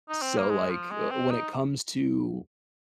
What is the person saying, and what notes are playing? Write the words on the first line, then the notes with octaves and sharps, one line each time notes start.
so, like, uh, when it comes to
D#4
C4
A#3
G#3
F3
G#3
C4
D#4